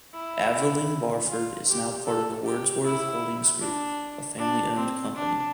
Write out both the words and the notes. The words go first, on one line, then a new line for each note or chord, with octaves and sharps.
Aveling-Barford is now part of the Wordsworth Holdings Group, a family-owned company.
E4
F4
G4
A4
G4
E4
D4
D4
C4
D4